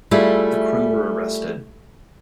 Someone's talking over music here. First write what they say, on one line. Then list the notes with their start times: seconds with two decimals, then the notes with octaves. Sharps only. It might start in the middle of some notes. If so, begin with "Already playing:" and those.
The crew were arrested.
0.11 G3 A3 E4 F4 G#4